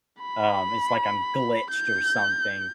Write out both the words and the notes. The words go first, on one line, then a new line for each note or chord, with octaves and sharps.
um, it's like I'm glitched or something,
B5
G6